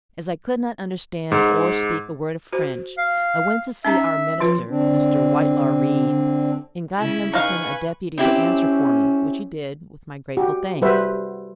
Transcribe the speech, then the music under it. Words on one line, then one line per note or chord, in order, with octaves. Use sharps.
As I could not understand or speak a word of French, I went to see our minister, Mr. Whitelaw Reid, and got him to send a deputy to answer for me, which he did, with my grateful thanks.
G#2
F#4 C5
F5
C#4 D#4 E5 A#5
F3 F4 B4
D3 C4 D4
C#3 E4
D#4 B4 F5 G#5 C#6
C4 C#4 E4 G4
F#4 G4
G3 F#4 A4 B4 C5 E5